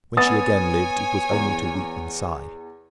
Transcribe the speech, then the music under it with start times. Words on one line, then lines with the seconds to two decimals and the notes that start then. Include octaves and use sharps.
When she again lived, it was only to weep and sigh.
0.17 B3 C#5 G#5 D#6 A6
1.31 E2